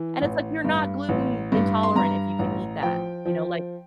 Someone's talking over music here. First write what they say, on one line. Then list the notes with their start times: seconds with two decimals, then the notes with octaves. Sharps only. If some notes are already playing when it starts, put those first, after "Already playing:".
and it's like, "You're not gluten intolerant if you can eat that, you know?" Like,
Already playing: E3
0.22 A1
0.65 G2
1.09 A1
1.52 G2
1.83 C6
1.96 G2 A#5
2.39 A1
2.83 F3 G5
3.25 F3